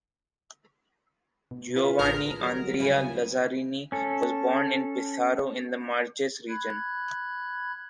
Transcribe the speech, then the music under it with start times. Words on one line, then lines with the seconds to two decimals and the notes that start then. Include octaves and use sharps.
Giovanni Andrea Lazzarini was born in Pesaro in the Marches region.
1.51 B2
1.76 E4 F4 B4
1.99 A1 D4 G#4 A#4
2.41 D2 F#3 G3 A#4
2.79 C#3 B3 E4 G#5
3.92 C#4 A4
6.49 B5 F#6 G#6